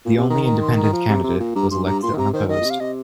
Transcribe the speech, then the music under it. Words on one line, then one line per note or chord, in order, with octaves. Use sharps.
The only independent candidate was elected unopposed.
A#2
C3
D#3 A#5
A#5
C6
A#5
D#3
F3
C3
C3
A#2
G2 A#5
G2 C6
G2 A#5
A#2 C6
D#3
C3 A#5
D#3 C5
D#3 D#5
A#2
C3
F5
C3 D#5